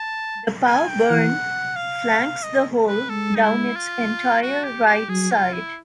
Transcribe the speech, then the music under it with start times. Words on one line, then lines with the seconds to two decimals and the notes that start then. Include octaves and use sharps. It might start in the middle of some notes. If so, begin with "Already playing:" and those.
The Pow Burn flanks the hole down its entire right side.
Already playing: A5
0.66 G#5
0.88 G5
1.10 E3 F#5
1.76 F5
2.43 D#5
2.88 B4
3.09 G#3 A4
3.35 D#4
3.43 E4
3.76 F4
4.42 F#4
4.64 G4
4.86 G4
5.09 F#3 G#4
5.31 F4
5.53 E4